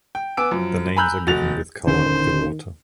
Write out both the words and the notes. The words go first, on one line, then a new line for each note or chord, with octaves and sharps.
Their names are given with color of the water.
G5
B3 G#5 D6 E6 D7
F#2 F3
G#5 A#5 B5 E6 F#6 G6
F1 F#4 A6 F7
D#1 D3 D#3 C#4 C5